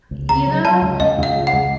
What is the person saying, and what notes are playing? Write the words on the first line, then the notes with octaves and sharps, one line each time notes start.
You know,
C#2
C#3 A#5
F#3
F#3 A5
C#2
C#2 D#5
C#2
F5
C#3
F#5
C#2